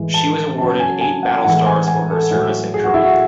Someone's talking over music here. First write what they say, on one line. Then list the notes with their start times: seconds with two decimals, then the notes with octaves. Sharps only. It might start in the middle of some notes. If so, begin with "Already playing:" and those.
She was awarded eight battle stars for her service in Korea.
Already playing: A2 E3 G#3
0.14 A5
0.58 C#3 F#3 A5
0.80 G#5
1.01 G#5
1.23 F#5
1.44 A2 E3 G#3 F#5
1.66 G#5
1.88 G#5
2.10 A4
2.31 A2 F#3
2.74 G#4
2.84 F#4
2.94 E4
3.03 F#4